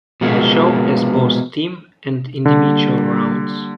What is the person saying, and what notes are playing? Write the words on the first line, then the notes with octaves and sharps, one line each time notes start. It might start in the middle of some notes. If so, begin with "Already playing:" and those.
The show has both team and individual rounds.
B2 F3 G#3 A#3 B3
D3 G3 A#3